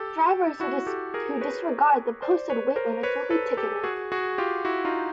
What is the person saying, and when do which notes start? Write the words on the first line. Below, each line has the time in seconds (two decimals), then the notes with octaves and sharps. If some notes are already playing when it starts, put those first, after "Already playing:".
Drivers who disregard the posted weight limits will be ticketed.
Already playing: G4 A4
0.60 E4 F#4
0.87 G4 A4
1.14 G#4 A#4
1.41 B4 C#5
2.22 C5 D5
2.50 B4 C#5
2.76 A#4 C5
3.03 B4 C#5
3.30 A4 B4
3.57 G4 A4
3.84 F#4 G#4
4.12 F#4 G#4
4.38 F4 G4
4.65 E4 F#4
4.85 D#4 F4